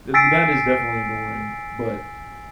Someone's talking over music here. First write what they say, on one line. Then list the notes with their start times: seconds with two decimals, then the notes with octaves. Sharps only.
w that is definitely annoying, but
0.14 G#5 E6 A6 B6 C7 D7